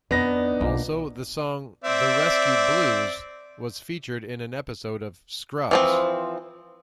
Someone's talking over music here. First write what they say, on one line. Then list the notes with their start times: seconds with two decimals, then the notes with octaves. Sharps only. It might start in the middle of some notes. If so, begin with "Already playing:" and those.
Also, the song "The Rescue Blues" was featured in an episode of "Scrubs".
0.11 F2 B3 D4 D#4 A#6
0.60 B1 A#3 F4
1.84 C4 D5 E5
5.71 E3 F3 C4